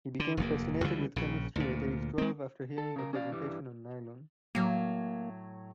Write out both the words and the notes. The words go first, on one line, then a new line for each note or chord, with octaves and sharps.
He became fascinated with chemistry at age twelve, after hearing a presentation on nylon.
D3
F1 D#2 A#3
C#2 D3 E3 G3
A#1 C#3
D2 A#2
G#3 C4
A4
C#3 A#4
C#4 D4 D5 F5
G2 E3 G3
A2 F#3 A#3